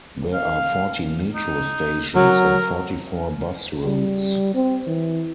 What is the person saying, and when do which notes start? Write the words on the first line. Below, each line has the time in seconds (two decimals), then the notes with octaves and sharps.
There are fourteen Metro stations and forty four bus routes.
0.33 F5
1.35 D#4
2.15 F#3 A#4
3.85 G3
4.54 C4
4.87 E3